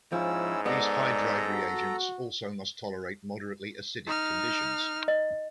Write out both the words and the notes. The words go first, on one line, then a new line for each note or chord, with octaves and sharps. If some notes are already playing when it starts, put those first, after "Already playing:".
These hydride reagents also must tolerate moderately acidic conditions.
G#2 F3 C#4 E4 E6
G#3 B3 A4 D5 A#5
F#4
D#4 F6
D#5